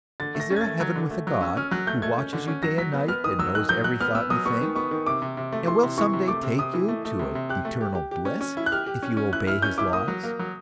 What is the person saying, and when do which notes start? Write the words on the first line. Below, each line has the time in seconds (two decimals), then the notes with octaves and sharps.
Is there a heaven with a God, who watches you day and night, and knows every thought you think, and will some day take you to eternal bliss if you obey his laws?
0.20 D3 A6
0.35 A3
0.40 A#6
0.50 C#4
0.56 G#6
0.61 A3 A6
0.80 F#3 G#6
0.96 D3
1.11 A3
1.27 F#3
1.41 C#4 E6
1.57 C#4 F6
1.71 F#3 F#6
1.87 A3 G6
2.02 A3 G#6
2.18 C#4
2.33 D3
2.48 C#4
2.63 F#3 A#6
2.78 F#3 B6
2.94 B3
3.08 B3 F6
3.24 D#3 D#6
3.39 F#3 E6
3.54 D#3 F#6
3.69 F#3 G6
3.84 F#3 F#6
4.01 B3 F6
4.15 B3 E6
4.30 F#3 D#6
4.46 B3 C#6
4.61 D#3
4.76 B3 C#6
4.91 D#3
5.07 C3 D6
5.22 C3
5.37 C3
5.53 A3
5.67 E3 C6
5.83 C3
5.98 E3 C#6
6.13 C3
6.28 A3 D6
6.43 C3
6.59 C3 D#6
6.74 E3
6.88 A3
7.05 A3
7.19 C3
7.35 C3
7.49 G4 F#6
7.65 A3
7.81 G4
7.95 G4
8.11 G4
8.25 C#4
8.41 C#4
8.57 E4
8.66 F#6
8.72 G4 F6
8.86 G4
9.03 C#4
9.17 C#4
9.33 E4 F#6
9.47 E4 F6
9.62 C#4 G6
9.78 E4 D6
9.93 A#3 D#6
10.08 F#3
10.23 A#3
10.39 F#3